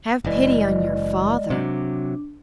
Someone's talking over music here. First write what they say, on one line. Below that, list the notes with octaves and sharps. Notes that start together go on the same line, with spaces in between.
'Have pity on your father!'
F#1 E3 G#3 D5 D#5
C3 F#3 D4